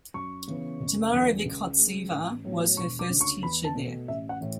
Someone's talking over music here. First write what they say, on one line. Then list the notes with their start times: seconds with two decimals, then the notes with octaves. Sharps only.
Tamara Vykhodtseva was her first teacher there.
0.14 F#2 C#6
0.48 C#3 E3 B3
0.80 F#1
1.13 E2 D3 F#3 A3
1.45 C#2
1.79 C#3 G#3
2.11 A1
2.44 A2 F#3 B3
2.77 E1 C#6
2.99 D6
3.10 D2 C#3
3.21 C#6
3.42 E2 B5
3.64 A5
3.75 B2 A3
4.08 A1 E5
4.29 F#5
4.41 A2 E3